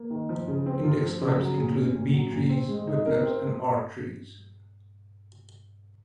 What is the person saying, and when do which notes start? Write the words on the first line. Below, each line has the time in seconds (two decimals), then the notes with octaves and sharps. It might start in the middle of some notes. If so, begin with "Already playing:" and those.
Index types include b-trees, bitmaps, and r-trees.
Already playing: A#3
0.10 D#3
0.29 F3
0.48 C#3
0.66 C4
0.84 F4
1.03 F3
1.21 C#3
1.40 F#3
1.58 A#2
1.76 C#4
1.95 A#2
2.13 F#3
2.32 A#2
2.49 C4
2.68 G#3
2.87 D#4
3.06 A#4
3.23 C4